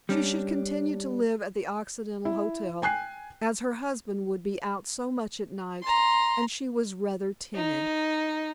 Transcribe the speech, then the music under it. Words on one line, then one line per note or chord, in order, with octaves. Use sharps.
She should continue to live at the Occidental Hotel as her husband would be out so much at night and she was rather timid.
G3 C#4 D4
E4
G5 G#5 F#6 C7
A#5 C6
D#4